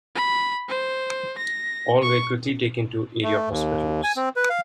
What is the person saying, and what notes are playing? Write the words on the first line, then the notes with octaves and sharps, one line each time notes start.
All were quickly taken to area hospitals.
B5
C5
A#6
C#6
A3
D#2
G#5
C4
B4
F5